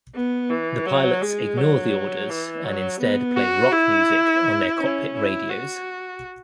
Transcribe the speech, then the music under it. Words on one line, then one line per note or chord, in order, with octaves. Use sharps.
The pilots ignore the orders, and instead play rock music on their cockpit radios.
B3
E3
F#3
G#3
F#3
E3
F#3
B3
F#4
E4
C#4
E4
F#4